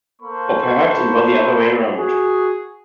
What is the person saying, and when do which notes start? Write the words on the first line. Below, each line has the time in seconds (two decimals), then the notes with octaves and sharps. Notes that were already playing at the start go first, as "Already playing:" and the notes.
Or perhaps it was the other way around.
0.21 A#3 A4 C5 B5 C#6
1.95 F#4 G#4